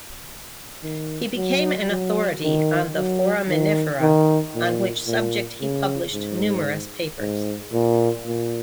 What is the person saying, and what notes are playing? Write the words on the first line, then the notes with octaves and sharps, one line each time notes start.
He became an authority on the foraminifera, on which subject he published numerous papers.
D#3
F#3
F#3
D#3
F#3
D#3
D#3
A#2
A#2
C#3
G#2
G#2
A#2
A#2